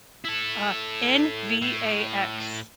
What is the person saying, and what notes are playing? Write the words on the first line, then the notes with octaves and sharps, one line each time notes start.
Uh, N-V-A-X.
E4 A4
A2